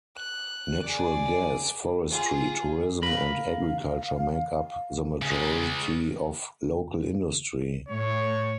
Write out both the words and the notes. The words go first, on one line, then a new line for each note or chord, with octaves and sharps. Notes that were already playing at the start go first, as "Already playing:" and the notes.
Natural gas, forestry, tourism and agriculture make up the majority of local industry.
F#6
G#4 D5
F4 G#4
A#4 F5 B5
C#2 C#3
A2 C#5